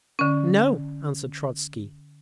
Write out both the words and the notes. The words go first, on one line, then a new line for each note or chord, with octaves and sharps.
"No," answered Trotzky.
D3 C#4